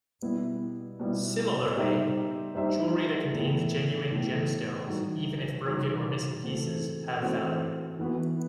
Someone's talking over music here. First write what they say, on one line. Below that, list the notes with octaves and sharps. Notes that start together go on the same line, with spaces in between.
Similarly, jewelry that contains genuine gemstones, even if broken or missing pieces, have value.
B2 G3 B3 E4
B2 G3 B3 E4
G3 D#4 G4 C5 E5
G3 D#4 G4 C5 E5
A2 E3 B3 E4 A4
A2 E3 B3 E4 A4
E3 G3 D#4 F#4
E3 G3 D#4 F#4
E3 A3 C4 F#4
E3 A3 C4 F#4
E3 B3 F#4 B4